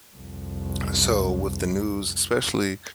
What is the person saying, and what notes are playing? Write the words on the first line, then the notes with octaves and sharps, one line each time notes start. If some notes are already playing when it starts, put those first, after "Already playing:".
On a so with the news, especially
C2 F2